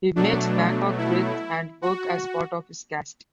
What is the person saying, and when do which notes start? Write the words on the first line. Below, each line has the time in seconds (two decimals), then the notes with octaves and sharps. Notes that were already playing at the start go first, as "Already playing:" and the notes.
He makes Bangkok breathe and work as part of his cast.
0.16 B2 F#3 A3 D4
0.98 E4
1.82 F#4